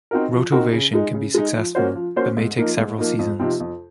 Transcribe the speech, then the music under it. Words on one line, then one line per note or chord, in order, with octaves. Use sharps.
Rotovation can be successful, but may take several seasons.
C4 D#4 F#4 A#4
F3
C4 D#4 F#4 A#4
C#3
G#3 D#4
C#3
G#3 D#4
F3
A#3 C#4 F#4 C5
F3
A#3 C#4 F#4 C5
G#2
F3 A#3 D#4
G#2
F3 A#3 D#4
F2
C3 F3 C4 D#4
F2